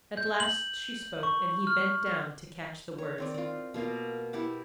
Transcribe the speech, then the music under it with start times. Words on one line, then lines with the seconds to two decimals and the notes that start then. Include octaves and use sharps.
At last she spoke, and he bent down to catch the words.
0.17 G6
0.40 F#7
1.23 C#6
1.67 F6
2.98 C#5
3.18 D#3 C4 D5
3.34 C4 F4
3.74 B2 A#3 F4 A#4
4.33 E4 G4 F#5 A5